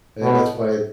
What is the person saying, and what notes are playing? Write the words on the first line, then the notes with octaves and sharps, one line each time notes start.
hey, that's funny
B2